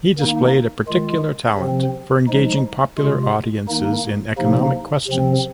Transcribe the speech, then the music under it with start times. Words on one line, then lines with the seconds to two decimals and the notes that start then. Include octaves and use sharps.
He displayed a particular talent for engaging popular audiences in economic questions.
0.18 D#3 A#3 D#4
0.88 D#3 G#3 F4
1.58 C3 F3 C4
2.28 F3 G#3 D#4
2.98 C3 G#3 F4
3.68 D#3 A#3 D#4
4.38 C3 F3 A#3 D#4
5.08 C3 F3 C4